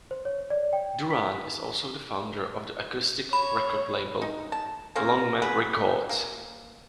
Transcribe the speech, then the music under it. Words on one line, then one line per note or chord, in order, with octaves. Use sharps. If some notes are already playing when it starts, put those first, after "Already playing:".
Durrant is also the founder of the acoustic record label LongMan Records.
C5
C#5
D5
G5
B6
C#5 B5
D#4
A5
A#3 C4 C#4 A#4
B3 G#4 B4
A#3